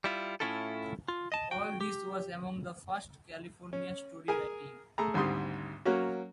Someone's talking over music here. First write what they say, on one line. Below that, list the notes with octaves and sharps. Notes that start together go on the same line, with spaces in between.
All this was among the first California story writing.
G3 E4 F4
A2 A#3 C#4 E4 F4 A4
F4
D#5 A5
F#4 G5
G4
C#4
G#4 A#4 G#5
A3 G#4 A#5
G#1 D2 G#2 G3 C6 D#6
F#3 A#3 C#4 F#4